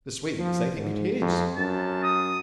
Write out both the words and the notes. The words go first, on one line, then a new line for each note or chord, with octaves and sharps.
The Swedes, they think it his.
F3
G#2
F2
F#2 A5
D#6